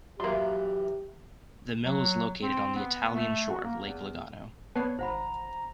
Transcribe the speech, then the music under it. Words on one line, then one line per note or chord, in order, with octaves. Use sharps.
The mill is located on the Italian shore of Lake Lugano.
F#2 E3 A#3 G4 C6
F#3
C4
B3
A3
F#4
A#3
E2
B3 C#5 D5 A5 C7
G#1 C5 F#5 A#5 B5